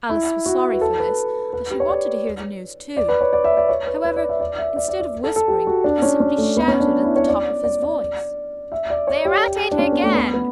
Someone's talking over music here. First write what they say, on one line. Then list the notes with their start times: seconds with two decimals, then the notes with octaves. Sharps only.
Alice was sorry for this, as she wanted to hear the news too. However, instead of whispering, he simply shouted at the top of his voice 'They're at it again!'
0.09 E4
0.46 F#4
0.73 B4
0.81 A4
0.99 B4
1.53 B4
1.71 G4
1.80 C#5
1.88 D5
2.97 D5
3.08 B4
3.21 C#5
3.33 D5
3.44 E5
3.57 D5
3.69 C#5
3.87 B4
4.05 B4
4.16 D5
4.29 E5
4.40 D5
4.58 E5
4.76 D5
4.88 D5
5.00 D5
5.24 A4
5.36 A4
5.48 G4
5.67 F#4
5.84 D4
6.02 C#4
6.20 C#4
6.38 A3
6.57 B3
6.68 C#4
6.80 D4
7.04 E4
7.16 C#5
7.28 D5
7.64 D5
7.82 D5
8.72 E5
8.90 D5
9.07 C#5
9.25 G4
9.72 D4
9.79 C#4
9.92 B3
10.03 A3
10.15 B3
10.34 B3